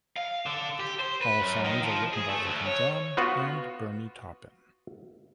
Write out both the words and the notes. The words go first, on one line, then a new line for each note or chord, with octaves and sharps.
All songs are written by Elton John and Bernie Taupin.
F5
D3
G4
C5
B4
F#2
D#3
F3
G#4
A3
D2
C#5
B3 F4 F#4 B4